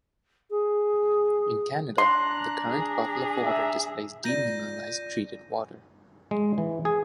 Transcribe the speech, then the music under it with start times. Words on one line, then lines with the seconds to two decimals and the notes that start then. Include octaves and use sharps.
In Canada, the current bottle of water displays "Demineralized Treated Water".
0.50 G#4
1.98 D4 A#5 C6 F#6
2.69 G#4
3.46 E5
4.24 F4 D5 G6 A#6 D#7
6.31 G#3
6.58 E3
6.85 G#4